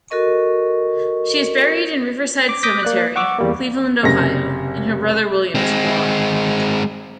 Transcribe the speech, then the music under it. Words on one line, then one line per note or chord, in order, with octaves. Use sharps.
She is buried in Riverside Cemetery, Cleveland, Ohio in her brother William's plot.
F#4 A4 A#4 D#5 C#6
D6
D6 D#6 G6 A#6 B6
A#3 D5 F#6
F#5 C#6 D6 E6
E2 G3 A#3
F#1 C3 A#6
G#3 C4